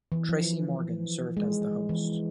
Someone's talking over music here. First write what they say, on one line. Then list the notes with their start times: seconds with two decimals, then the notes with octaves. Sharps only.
Tracy Morgan served as the host.
0.12 E3
0.29 F3
1.37 G#3
1.89 E3